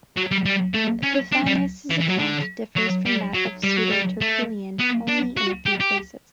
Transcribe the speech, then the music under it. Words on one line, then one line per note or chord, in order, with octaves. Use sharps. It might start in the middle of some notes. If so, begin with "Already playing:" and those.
Epiphanius' account differs from that of Pseudo-Tertullian only in a few places.
F#3
G3
G3
A3
C#4
D4
G3
E3
E3
F#3
D3
F#3
G3
F#3
G3
F#3
G3
A3
B3
D4
F#4
G4
G4